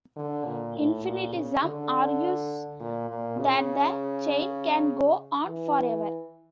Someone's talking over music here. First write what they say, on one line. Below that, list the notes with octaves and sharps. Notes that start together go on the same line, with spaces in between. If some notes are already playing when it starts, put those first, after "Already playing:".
Infinitism argues that the chain can go on forever.
D3
A#2
A2
A#2
C#3
D3
A#2
A#2
C#3
E3